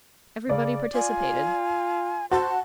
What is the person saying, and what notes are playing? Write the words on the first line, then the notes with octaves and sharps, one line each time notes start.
Everybody participated.
C#3 D5
F4 G#5
F#4 C5 A5